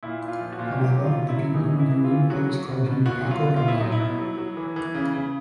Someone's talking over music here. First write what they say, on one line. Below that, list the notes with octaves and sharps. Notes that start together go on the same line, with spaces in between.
However, the people who knew him always called him Paco Rabal.
A#2 E4
A#2
F4
F3
F#4
A#2
F#3 G4
F#3
F4
B2
E4
F#3
E3 D#4
E3
E4
E3
F4
E3
F#3 F#4
F#3
B2
B2
B2 F#4
F#3
F4
B2
F4
B2
E4
F#3 D#4
E4
B2
F#3
F#3
E3
E3
C#3
C#3